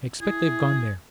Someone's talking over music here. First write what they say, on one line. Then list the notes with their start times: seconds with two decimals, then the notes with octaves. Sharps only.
I expect they've gone there.
0.21 E4 G#4